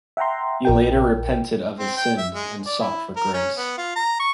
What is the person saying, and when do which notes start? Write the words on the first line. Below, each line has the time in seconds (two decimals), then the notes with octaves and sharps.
He later repented of his sins and sought for grace.
0.17 E5 F#5 G5 A#5 C6
0.65 A#1 A#4 G5
1.79 C4
1.97 G5
2.18 E5
2.34 G#3
2.66 D5
2.80 E4
3.16 A#4
3.33 C#4
3.57 B3
3.78 F4
3.96 A#5
4.19 C#6